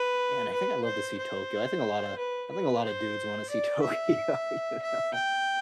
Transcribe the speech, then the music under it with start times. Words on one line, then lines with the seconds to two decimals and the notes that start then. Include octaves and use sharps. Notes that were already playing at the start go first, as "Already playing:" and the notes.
and I think I'd love to see Tokyo. I think a lotta I think a lotta dudes want to see Tokyo, you know,
Already playing: B4
0.52 B4
0.84 C5
1.18 C5
2.18 B4
2.50 B4
2.84 C5
3.50 D5
3.82 E5
4.82 E5
5.14 G5